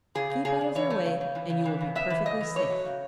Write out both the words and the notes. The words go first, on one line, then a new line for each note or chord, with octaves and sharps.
Keep out of their way and you will be perfectly safe.
C#3 G#4
C#3
C#3 G#4
C#3
E3 C#5
A3
C#3
C#3
E3
C#3
E3
C#3
B3 E5
E3
C#3 D#5
E3
A3 C#5
F#3
C#3